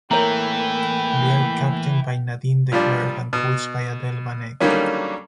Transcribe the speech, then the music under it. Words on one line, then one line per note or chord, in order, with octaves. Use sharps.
They are captained by Nadine de Klerk and coached by Adele van Eck.
A2 E3 A3 A#3 A#4 C#5 G5 A#5
A#2 F3 G3 D4
B2
D3 D#3 F#3 G3 A#3 C#4